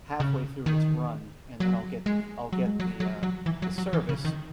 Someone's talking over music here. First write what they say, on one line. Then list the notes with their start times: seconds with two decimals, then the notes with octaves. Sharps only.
halfway through its run, and then I'll get I'll get the uh the service
0.20 C#3
0.66 D#3
1.60 F#3
2.06 G#3
2.53 F#3
2.66 G#3
2.80 F#3
3.00 F#3
3.23 F#3
3.46 E3
3.62 F#3
3.78 F#3
3.93 E3
4.09 C#3
4.25 D#3